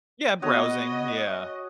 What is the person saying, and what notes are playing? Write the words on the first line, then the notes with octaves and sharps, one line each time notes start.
Yeah, browsing, yeah.
B3 F#4 G#4 C#5 D#5